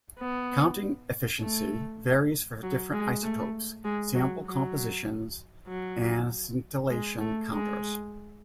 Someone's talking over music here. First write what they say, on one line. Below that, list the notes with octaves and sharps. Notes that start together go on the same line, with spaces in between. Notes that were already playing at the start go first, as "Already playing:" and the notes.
Counting efficiency varies for different isotopes, sample compositions and scintillation counters.
B3
A3
F#3
G#3
A3
G#3
F#3
F#3
F#3
G#3
A3
G#3